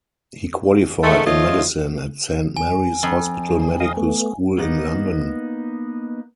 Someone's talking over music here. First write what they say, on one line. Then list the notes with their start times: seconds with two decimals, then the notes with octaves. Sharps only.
He qualified in medicine at Saint Mary's Hospital Medical School in London.
1.03 G#2 D#3 A3
1.26 F3 A3 F4 C#5 D#5
2.57 G#5
3.03 F2
3.49 G#4
3.80 D#5 F5 D#6
3.97 A3 B3
4.58 A#3 B3 D#4